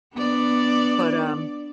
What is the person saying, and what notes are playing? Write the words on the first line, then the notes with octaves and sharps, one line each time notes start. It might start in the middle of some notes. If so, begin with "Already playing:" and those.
But, um,
B3 D4 D5